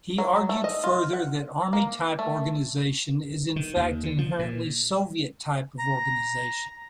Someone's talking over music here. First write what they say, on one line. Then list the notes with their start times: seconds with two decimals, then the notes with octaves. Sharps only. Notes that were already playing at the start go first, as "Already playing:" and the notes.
He argued further that "army-type organization is in fact inherently Soviet type of organization".
0.18 F#3
0.49 A3
0.64 D#5
0.84 F4
1.13 F#5
1.73 A#3
2.19 A3
3.56 D#3
3.76 D#2
4.03 D3
4.18 F3
4.39 A#2
5.79 A#5